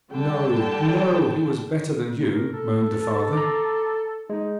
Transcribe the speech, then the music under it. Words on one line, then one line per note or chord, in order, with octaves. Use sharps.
'No, no, he was better than you!' moaned the father.
D3 G3 G5 A5
A#4
A4
A#5 D6
G#3 D#4